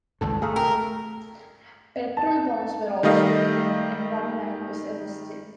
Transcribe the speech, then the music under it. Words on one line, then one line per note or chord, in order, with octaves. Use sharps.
Petrol bombs were also thrown and one man was arrested.
G#1 C#2 G2 A4
A3 G#4 F5 A#5
A#4 G5
A5
D#3 G3 A3 D#5 F5